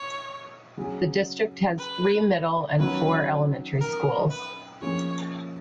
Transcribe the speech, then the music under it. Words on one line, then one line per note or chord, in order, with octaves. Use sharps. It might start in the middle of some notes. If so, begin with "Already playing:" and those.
The district has three middle and four elementary schools.
Already playing: C#5
C#3 F#3 C#4 G#4
B4
D#3 F#3 C#4 B4
A#4
B4
F3 A#3 C#4 F4 G#4 C#5